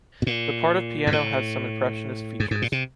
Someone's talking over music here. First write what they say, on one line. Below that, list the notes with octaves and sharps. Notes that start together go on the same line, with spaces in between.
The part of piano has some impressionist features.
B2
A#2
G#2
A2
G#2
G#2
A#2
C3